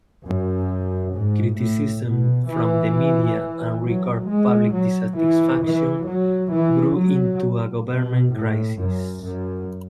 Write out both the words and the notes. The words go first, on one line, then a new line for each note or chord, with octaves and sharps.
Criticism from the media and record public dissatisfaction grew into a government crisis.
F#2
G#2
A2
B2
E3
F#3
G#3
F#3
E3
E3
F#3
E3
F#3
B2
A2
F#2
F#2